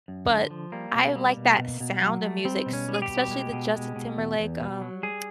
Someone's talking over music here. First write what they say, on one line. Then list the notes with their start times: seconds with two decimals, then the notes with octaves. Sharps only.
but I like that sound of music s like especially the Justin Timberlake, um,
0.08 F#2
0.30 D3
0.51 F3
0.72 G3 A#3
0.95 B2
1.16 G3
1.37 B2
1.59 B2
1.80 B2
2.02 F#3
2.23 A3
2.45 G3 C4
2.66 B2
2.73 C#4
2.88 G3
2.94 G#4
3.02 G4
3.09 B2
3.31 G#3
3.52 B2
3.74 G#3
3.96 B2
4.17 E2
4.39 E2
4.60 B2
4.81 F#3
5.03 G3 G#4